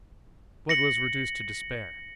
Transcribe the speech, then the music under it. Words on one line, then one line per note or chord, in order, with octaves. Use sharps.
Blood was reduced to despair.
A#6 C#7 F#7